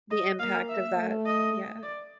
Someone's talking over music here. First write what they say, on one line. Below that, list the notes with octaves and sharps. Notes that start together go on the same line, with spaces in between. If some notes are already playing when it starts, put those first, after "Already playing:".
The impact of that, yeah.
D#5
A#3 F5
E5
A3
D#5
D5